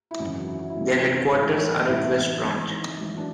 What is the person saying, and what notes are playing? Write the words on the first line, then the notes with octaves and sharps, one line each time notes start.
Their headquarters are at West branch.
E4
G#1 F#2 C#3 E3 F#4
E4
F#4
E4
G#1 F#2 C#3 E3
A1 G#2 E3
A1 G#2 E3 E4
G#1 G#2 E3
G#1 G#2 E3 F#3
D4